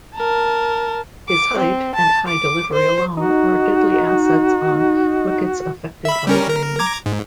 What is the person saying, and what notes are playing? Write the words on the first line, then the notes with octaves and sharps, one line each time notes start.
His height and high delivery alone are deadly assets on wickets affected by rain.
A#4 A5
D6
C4
A5
D6
C5
D#4 F#4
E5 B5
G3 C#4 A#4
A#4
A#5 D6 G#6
G#2